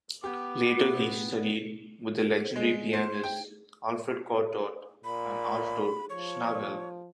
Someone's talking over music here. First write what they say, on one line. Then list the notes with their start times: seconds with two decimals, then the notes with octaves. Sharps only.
Later he studied with the legendary pianists Alfred Cortot and Artur Schnabel.
0.24 B3 G4 D6
2.56 G#3
2.93 C5
3.24 G5
5.04 A#2 B5
6.09 F3 C#5